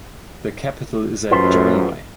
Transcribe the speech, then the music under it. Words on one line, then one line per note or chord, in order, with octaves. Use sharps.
The capital is at Jounieh.
A1 F#2 F4 B4 C5